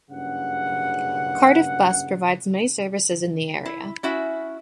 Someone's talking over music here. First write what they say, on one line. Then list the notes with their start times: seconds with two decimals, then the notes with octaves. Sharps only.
Cardiff Bus provides many services in the area.
0.11 F#1 G2 C#3 F#5
3.66 E4
4.03 C#4 E4 F#4 E5